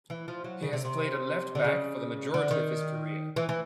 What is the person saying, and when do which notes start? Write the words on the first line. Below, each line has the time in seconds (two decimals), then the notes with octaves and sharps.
He has played at left back for the majority of his career.
0.10 E3
0.28 F3
0.44 F#3
0.62 C#3
0.73 C3
0.85 C3
1.55 D3
1.64 C#3
2.34 D3
2.51 D#3
3.36 E3
3.49 E3